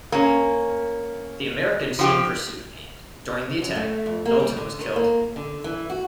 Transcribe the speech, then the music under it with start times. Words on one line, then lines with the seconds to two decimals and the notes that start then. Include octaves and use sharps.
The Americans soon pursued and, during the attack, Knowlton was killed.
0.12 A#3 C#4
1.99 F3 F#4 G4
3.62 F#2
3.75 A3
4.06 F2
4.25 A#3
4.40 G3
4.57 D3
4.79 D#3
4.96 A#3
5.36 D3
5.64 E3
5.90 F#4